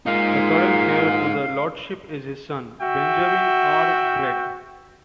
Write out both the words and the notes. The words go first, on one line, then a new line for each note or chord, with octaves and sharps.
The current heir to the Lordship is his son, Benjamin R. Gregg.
A#2 G#3 D#4 F5
F#4 E5 G5